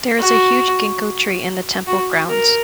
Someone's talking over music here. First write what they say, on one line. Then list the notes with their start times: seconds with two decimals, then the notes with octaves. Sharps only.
There is a huge Ginkgo tree in the temple grounds.
0.19 F#4
1.87 F#4
2.29 A#4